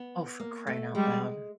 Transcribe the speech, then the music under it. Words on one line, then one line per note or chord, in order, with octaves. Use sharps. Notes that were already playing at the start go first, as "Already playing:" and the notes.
Oh, for crying out loud.
Already playing: B3
A#3
A3
G3 G#3